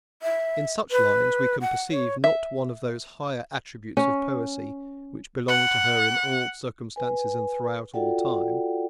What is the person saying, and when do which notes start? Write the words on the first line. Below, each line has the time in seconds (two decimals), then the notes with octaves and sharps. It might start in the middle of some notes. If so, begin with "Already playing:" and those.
In such lines we can perceive not one of those higher attributes of Poesy which belong to her in all circumstances and throughout all time.
0.22 E5
0.91 B4
1.61 F#5
1.91 C#5
2.24 E5
3.97 C#4
5.49 F#5
6.96 B4 G#5
7.94 F4 F#4 A4 D5 F#5 G5